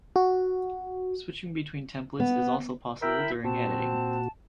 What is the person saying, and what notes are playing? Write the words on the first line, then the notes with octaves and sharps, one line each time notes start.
Switching between templates is also possible during editing.
F#4
B3
E4 A#4 E5 G5 B5 E6
A#2 C4 F#4 A5